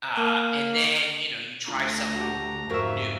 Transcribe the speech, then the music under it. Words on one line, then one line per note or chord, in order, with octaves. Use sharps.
Ah, and then, you know, you try something new.
A#3
D2 D4 F4 A4 A#5
F#4 G4
F2 G#2 F#4 A#4 E5 F5